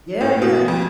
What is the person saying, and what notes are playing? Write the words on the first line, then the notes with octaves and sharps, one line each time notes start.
Yeah, yeah.
A2
B2
F2